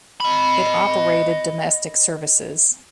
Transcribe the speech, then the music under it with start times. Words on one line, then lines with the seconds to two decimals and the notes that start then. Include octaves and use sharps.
It operated domestic services.
0.20 D#5 B5